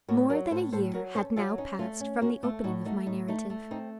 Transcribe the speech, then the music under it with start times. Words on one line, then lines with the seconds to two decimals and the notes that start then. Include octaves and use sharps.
More than a year had now passed from the opening of my narrative.
0.09 A2 F#4 A#4
0.30 F#3 A#4 C#5
0.51 A2 A4 C5
0.72 A2 A4 C5
0.93 F#3 F#4 A#4
1.15 C#4 A4 C5
1.36 F#3 F4 A4
1.58 C#4 D#4
1.79 A3 C#4 F4
2.00 C#4
2.21 C#4 F#4 A#4
2.43 A3 F4 A4
2.64 A2 D#4 F#4
2.85 A3 D#4 F#4
3.06 A2 D#4
3.28 A3 D#4
3.50 A3
3.71 C4 D#4